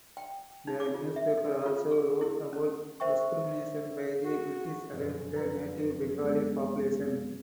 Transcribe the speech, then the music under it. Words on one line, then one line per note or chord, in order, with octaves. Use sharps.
The newspaper also wrote about discrimination by the British against the native Bengali population.
G5
D#4
D6
F4
E5
A4
F4
G#4
E4
C#4
A#4 C5 E5 G5 C#6
F#4
F1 F#2 B2
B4 A#5
G#3 B3